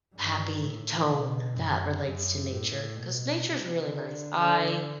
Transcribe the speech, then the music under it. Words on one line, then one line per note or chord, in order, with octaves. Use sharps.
happy tone that relates to nature 'cause nature is really nice. I
G2
A2
B2
F#2
F#2
A2
B2
C3
D3
D3